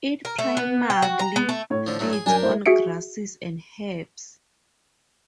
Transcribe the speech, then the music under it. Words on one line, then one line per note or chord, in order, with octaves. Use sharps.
It primarily feeds on grasses and herbs.
A#4
A3
B3
G5
F#4
A#5
B3
A3
A2 C#5
D3 F3
G2 F#3 A3
G#4
F#2 D4 A#4 G5 G#5
A3 E4 C5
F#4 G#4 E5 C#7 D7